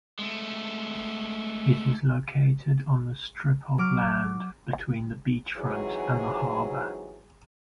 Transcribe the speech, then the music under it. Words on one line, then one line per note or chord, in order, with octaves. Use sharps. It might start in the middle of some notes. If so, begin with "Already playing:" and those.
It is located on the strip of land between the beachfront and the harbour.
G#3 A3
F#3 D6 F6
G#2 C3 E3 F#3 G#4